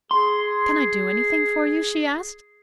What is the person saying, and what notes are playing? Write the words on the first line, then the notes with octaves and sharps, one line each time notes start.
"Can I do anything for you?" she asked.
G#4 C6